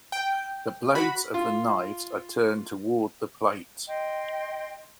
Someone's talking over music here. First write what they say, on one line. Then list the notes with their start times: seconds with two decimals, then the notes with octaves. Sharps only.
The blades of the knives are turned toward the plate.
0.12 G5
0.95 F#4 B5
1.34 F4
3.87 D#5 G5 C6